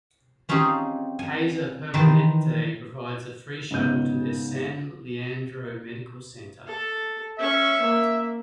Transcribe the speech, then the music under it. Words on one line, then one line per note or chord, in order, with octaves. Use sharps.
Kaiser Permanente provides a free shuttle to their San Leandro Medical Center.
C4 C#4 D#4 F4 G4 G#4
G#5
D#3 E3 B4 C5 G5 A5
G#2 C#3 B3 G6 D#7
A4
C#4 E5 C#6
A#3